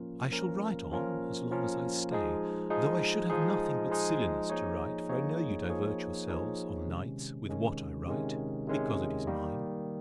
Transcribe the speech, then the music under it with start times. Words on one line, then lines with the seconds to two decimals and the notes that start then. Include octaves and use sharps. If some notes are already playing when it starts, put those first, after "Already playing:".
I shall write on, as long as I stay, though I should have nothing but silliness to write; for I know you divert yourselves on nights with what I write, because it is mine.
Already playing: F3 A#3 C#4 F4 A#4
0.32 F3 A#3 C#4 F4 A#4
0.92 F3 A#3 C#4 F4 A#4
1.51 F3 A#3 C#4 F4 A#4
2.11 F3 G#3 D#4 G#4
2.70 F3 G#3 D#4 G#4
3.30 F3 G#3 D#4 G#4
3.90 F3 G#3 D#4 G#4
4.49 F3 A#3 D#4 G#4 C#5
5.09 F3 A#3 D#4 G#4 C#5
5.69 F3 A#3 D#4 G#4 C#5
6.28 F3 A#3 D#4 G#4 C#5
6.88 C3 D#3 G#3 C#4
7.48 C3 D#3 G#3 C#4
8.08 C3 D#3 G#3 C#4
8.67 C3 D#3 G#3 C#4
9.27 D#3 G3 A#3 D#4